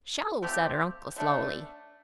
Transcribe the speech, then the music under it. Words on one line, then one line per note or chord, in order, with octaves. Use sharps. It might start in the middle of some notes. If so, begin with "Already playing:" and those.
"Sho!" said her uncle, slowly.
F3 A3 C4 G4
D3 A3 D4